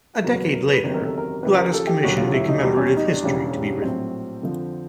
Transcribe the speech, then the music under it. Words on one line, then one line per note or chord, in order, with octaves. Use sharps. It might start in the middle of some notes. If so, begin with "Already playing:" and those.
A decade later, Gladys commissioned a commemorative history to be written.
F#1 E2 B2 F#3 A#4
B4
A#4
B4
F#1 E2 C3 D#3 F#3 B4
A#4
A4
A#4
D#2 C#3 F3 B4
A#4
A4
G4
E1 D#2 D3 F#3 F#4
F4
E4
D#4
E2 B2 G3
C#4
D#4
D4
E1 D#2 C#3 E3 G3
A#1 A2 F#3 C4
F2 D3 F3